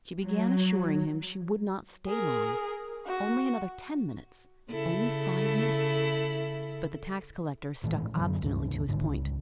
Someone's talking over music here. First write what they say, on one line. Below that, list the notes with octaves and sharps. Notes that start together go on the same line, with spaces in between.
She began assuring him she would not stay long, only another ten minutes, only five minutes; but the tax-collector stuck obstinately to his point.
F#3
G#4 A#4
F#4
C#3 E4 A4
A2 D#3 E3
F#2 D3 F#3
C#2 G2 C3
G#1 G#2 D3
C#2